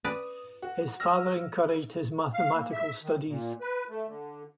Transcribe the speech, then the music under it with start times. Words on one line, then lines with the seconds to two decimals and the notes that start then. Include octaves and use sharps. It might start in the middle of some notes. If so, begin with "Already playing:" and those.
His father encouraged his mathematical studies.
0.05 B4 D5 D#6
0.62 F#4
1.00 E6 F6 A#6
2.33 F5
2.54 A#3
2.72 E5
3.02 D#3
3.27 A#2
3.61 B4
3.89 A3
4.07 D3